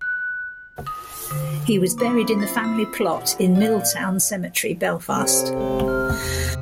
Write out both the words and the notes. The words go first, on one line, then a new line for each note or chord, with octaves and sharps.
He was buried in the family plot in Milltown Cemetery, Belfast.
F#6
D#6
D3
A#3 D#4 B4
F#3 A#3 C4 C#4 E4 C#5 B5 D6
F4 E5 B5 A6 C7
E6
D3 E3 G4 F#5
A#2 A#3 D5 G6
C3 A4 C#5 G5
G1 G#3
F6
E2 C3